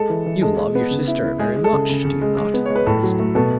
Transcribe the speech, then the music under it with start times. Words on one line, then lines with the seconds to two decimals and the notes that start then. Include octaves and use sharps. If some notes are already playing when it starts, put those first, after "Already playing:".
"You love your sister very much, do you not?" I asked.
Already playing: G#3 A4
0.10 E3
0.26 E3
0.42 G#3 A4
0.58 G#3
0.75 B3
0.91 C#3
1.07 E4
1.24 E4
1.39 G#3 G#4
1.56 G#3
1.64 A4
1.73 C#3
1.89 C#3
2.05 C#3
2.21 G#3
2.37 G#3
2.54 B3
2.66 G#3 C#5
2.76 B4
2.87 A2 A4
3.03 F#3
3.19 A3
3.35 B2 A4